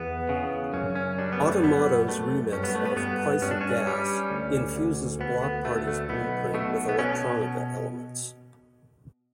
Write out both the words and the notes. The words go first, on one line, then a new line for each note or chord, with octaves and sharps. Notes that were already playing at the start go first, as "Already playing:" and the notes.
Automato's remix of "Price of Gas" infuses Bloc Party's blueprint with electronica elements.
Already playing: E2 B3
C#3
F#2 C#4
C#4
G3 D4
B3
A3
F#2 B3
F#2 A3
G2 C#4
B3
A3
B3
G2 B3
G2 C#4
D4
C#4
G3
D2
D2
D2 B3
B3
D2 A3
A3
B1 B3
B2 A3
B3
B2 C#4